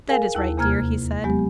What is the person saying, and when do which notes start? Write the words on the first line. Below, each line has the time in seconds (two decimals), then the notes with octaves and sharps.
"That is right, dear," he said.
0.09 G#4 A#4 F5 G#5
0.35 D#2 E4 A5
0.57 E2 C3 A#3 A#5 F6 G#6
1.24 F#3 G#3 B3 G4